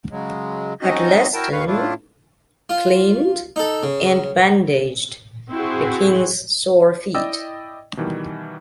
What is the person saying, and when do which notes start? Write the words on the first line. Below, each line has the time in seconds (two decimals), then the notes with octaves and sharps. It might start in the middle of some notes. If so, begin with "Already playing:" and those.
Huddleston cleaned and bandaged the King's sore feet.
0.11 C#3 F#3 G#3
0.82 C4 C#4 D#4 F#4 D#5
1.34 E4 F#4 A#4 G5 A5
1.52 D#2 D#3 B4 C#5 F5
1.67 A2 A3 D4 E4 F4
2.69 F4
3.56 D#4 A4
3.83 C#3
5.50 C4 E4 F#4 G#4
7.15 E4 D5 D#5 G5 E6
7.97 B2 D#3 E3 G3